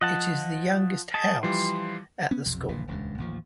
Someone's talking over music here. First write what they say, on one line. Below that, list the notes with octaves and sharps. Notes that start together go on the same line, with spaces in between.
It is the youngest House at the school.
F3 D#5 F#5 A5
G#4 D#5 A5
E3 F3 G3 C6
B3 C#4
B1 F2 C3
D#1 A#1 A#2 E3
D#1 C#2 G2
A1 D#2 F3